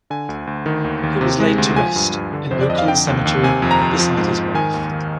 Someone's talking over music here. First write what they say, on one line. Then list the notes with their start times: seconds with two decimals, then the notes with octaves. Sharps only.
He was laid to rest in Oakland Cemetery, beside his wife.
0.10 D3 G#5
0.29 D2
0.47 D2
0.66 D#3
0.84 D#2
1.03 D#2
1.21 C3
1.40 G#3
1.58 D2
1.76 F3 G#5
1.96 G2
2.13 G2
2.33 D3
2.51 F2 C5
2.61 D5
2.70 F2 D#5
2.78 F5
2.88 D3 G5
3.07 D#2
3.26 D#2
3.43 C3 G#5
3.62 F2
3.71 A#5
3.81 F2
3.99 F3
4.17 G#2
4.36 G#2
4.54 D#3 G#5
4.74 D#2
4.91 D#2